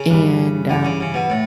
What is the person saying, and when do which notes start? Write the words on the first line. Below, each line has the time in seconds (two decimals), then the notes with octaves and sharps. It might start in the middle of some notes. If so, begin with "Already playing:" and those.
and, um
Already playing: C#3
0.10 G2 E3 G3
0.69 G2 D3 E3 G3
0.85 C#3
1.00 C#3
1.14 B2
1.30 A2